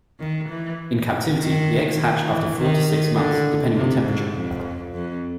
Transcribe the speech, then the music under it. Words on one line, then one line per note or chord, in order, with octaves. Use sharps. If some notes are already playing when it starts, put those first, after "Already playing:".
In captivity, the eggs hatch after four to six months, depending on temperature.
D#3
E3
D#3
E3
D#3
D3
C3
G#2
F2
F2